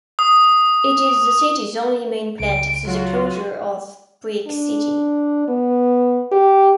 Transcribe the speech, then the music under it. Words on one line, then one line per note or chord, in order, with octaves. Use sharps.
It is the city's only main plant after the closure of Buick City.
D#6
C#2 D7
F#3 F4 F#4
D4
B3
G4